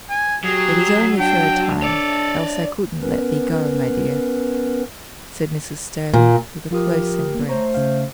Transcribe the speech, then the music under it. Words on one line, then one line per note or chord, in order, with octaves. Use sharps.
"It is only for a time, else I couldn't let thee go, my dear," said Mrs. Sterling, with a close embrace.
G#5
F#3 G4 G#4
D4 G5
A4 C#5 D5
B3 C#4 A#4 B4
A#2
F3 F4 G4 A#4 D#6
A#3 B3
A3 C5 C#5 A#5
C#3 F5